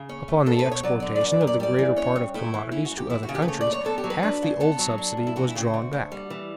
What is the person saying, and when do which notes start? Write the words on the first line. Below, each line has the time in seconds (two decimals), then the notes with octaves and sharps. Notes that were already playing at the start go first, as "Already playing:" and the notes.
Upon the exportation of the greater part of commodities to other countries, half the old subsidy was drawn back.
Already playing: C#3
0.09 C#4
0.28 A3
0.46 B2 A4
0.59 B4
0.65 B2
0.72 C#5
0.83 F#3 D5
1.00 D3 D5
1.16 D5
1.21 F#2
1.32 D5
1.41 F#2
1.47 D5
1.60 G3 D5
1.79 E3
1.96 C#4 C#5
2.16 G2
2.34 A3 E4
2.54 E3
2.72 C#4 E4
2.85 F#4
2.91 F#2
2.98 G4
3.10 E3 E4
3.23 F#4
3.29 C#3
3.35 G4
3.42 B4
3.48 A3 C#5
3.61 D5
3.67 F#2
3.73 C#5
3.85 B3 A4
3.98 G4
4.04 F#3
4.10 B4
4.23 D4
4.42 C#3
4.60 B3 A4
4.79 F#3
4.98 D4
5.17 G2
5.27 E4
5.36 E3 F#4
5.48 E4
5.55 C#3 G4
5.60 F#4
5.74 D2
5.93 D2
6.12 G3
6.30 E3